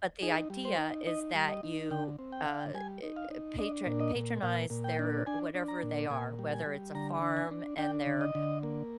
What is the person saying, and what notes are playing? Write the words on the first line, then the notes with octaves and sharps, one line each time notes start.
but the idea is that you, uh, eh, uh, patro patronize their whatever they are, whether it's a farm and they're
D#4 G#4
G3
C5
D#4
D#4 D#5
G3
D#5
D#4
D3 G5
C4
G5
D3 F5
G5
G3 G#5
D#4
F5
D#4
D4 D#5
A#2
D#5
A#2
A#2 F5
A#2
G5
D4
D4 G#5
D4
A#5
A#2
A#2 G#5
G3
G#5
G3
D3 A#5
D4
G#5
D4
D4 G5
D3
D#5
D3
A#3